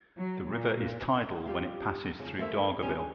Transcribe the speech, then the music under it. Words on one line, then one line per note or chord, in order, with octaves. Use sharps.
The river is tidal when it passes through Dargaville.
F#3
A#2
G3 F4 G4 F5
F2 G#2 C#3
D#2 A3 A#3 C5 E5
C3 F3 G3 C#4
G3 G#4